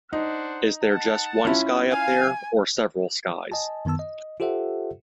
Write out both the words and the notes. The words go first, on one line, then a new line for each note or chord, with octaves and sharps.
Is there just one sky up there, or several skies?
D4 D#4 C5 F#5
F#5 A5
C#4 E4 F4
F5 G#5
D#5 G#5 A5
F#2 D#3 B3 A5 E6
D#5
F4 G4 A4 C5 E5 F#5